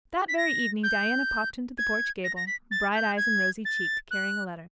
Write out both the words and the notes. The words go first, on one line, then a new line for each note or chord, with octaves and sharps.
That very evening Diana popped into the porch gable, bright-eyed and rosy cheeked, carrying a letter.
B6
A#6
G6
G#6
A#6
A#6
B6
A6
G6
G#6
A6
F#6